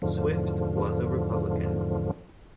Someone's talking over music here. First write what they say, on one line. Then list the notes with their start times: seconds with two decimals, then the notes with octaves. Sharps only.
Swift was a Republican.
0.02 E2 G#2 D3 F3